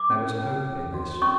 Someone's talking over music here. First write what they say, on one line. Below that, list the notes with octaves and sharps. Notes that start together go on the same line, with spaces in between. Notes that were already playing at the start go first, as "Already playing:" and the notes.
There was hope in this.
Already playing: D6
C#4
C#4
C#4
F#4
C#4 C#6